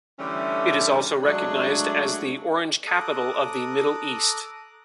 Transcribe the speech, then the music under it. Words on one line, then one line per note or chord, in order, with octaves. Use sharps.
It is also recognized as the orange capital of the Middle East.
D3 E3 G3 A3 C#4
F#3 G#3 A3 D4
A4 A#5 D6 D#6 F#6